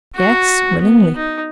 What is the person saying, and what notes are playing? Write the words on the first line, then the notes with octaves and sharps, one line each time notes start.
"Yes, willingly."
F#4
B3
D#4